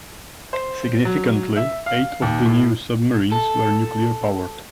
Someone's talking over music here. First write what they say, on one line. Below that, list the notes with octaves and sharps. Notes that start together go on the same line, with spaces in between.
Significantly, eight of the new submarines were nuclear-powered.
C5
F#3
E5
F5
D#2
A2
A4